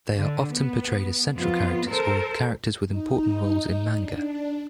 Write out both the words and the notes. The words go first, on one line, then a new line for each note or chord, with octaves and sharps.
They are often portrayed as central characters or characters with important roles in manga.
D3
B3
F2 B3 F4
A4 A#4 C5
D#4
D4